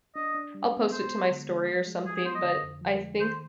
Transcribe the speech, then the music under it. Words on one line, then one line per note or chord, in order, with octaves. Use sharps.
I'll post it to my story or something but, I think
D4 D#5
D4
G3
B3
G#3 C5
G#3
D3
G#3
F3
G#3
F3 G#4
G#4
B3 C5
D#5
D3
F2
F3
G#3
D#3 C5